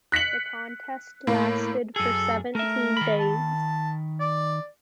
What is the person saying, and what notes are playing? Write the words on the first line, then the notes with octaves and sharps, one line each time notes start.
The contest lasted for seventeen days.
F#6 B6 C#7 F#7
A2 A#3
F#2 G#4 A4
A3 A#4 E5
D#3 B5
A5
D5